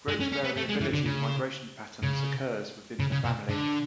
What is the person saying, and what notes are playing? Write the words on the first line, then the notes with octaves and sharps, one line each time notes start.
Great variability in migration patterns occurs within the family.
G#3
C#4
C#4
B3
A3
G#3
E3
D3
C#3
C#3
C#3
C#3
B2
D3